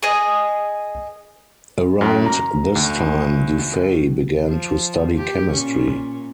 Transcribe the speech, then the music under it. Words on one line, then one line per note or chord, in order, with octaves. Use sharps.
Around this time du Fay began to study chemistry.
G#4 D#5
F#2
A#5
D2
F3
G4
A#2 C#4